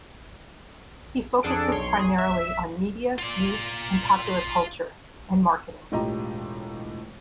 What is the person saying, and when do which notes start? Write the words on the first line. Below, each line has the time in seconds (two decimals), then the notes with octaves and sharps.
He focuses primarily on media, youth and popular culture, and marketing.
1.43 F2 D4 G#4 A4 A5 D7
1.72 B1 C#5 C6
1.99 G#4
2.18 E5 E6
3.19 F4 D5
5.92 E1 A2 F4 G4 D#5 A#5